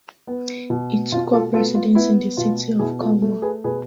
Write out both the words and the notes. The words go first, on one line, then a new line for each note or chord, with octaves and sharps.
He took up residence in the city of Kalmar.
B3
B2
B2 F4
F4 A4
B3 F4 A4
F4
B3 E4
B2 F4
B2 E4 G#4
F4 A4
A3
G#4 B4
B2 G#4 B4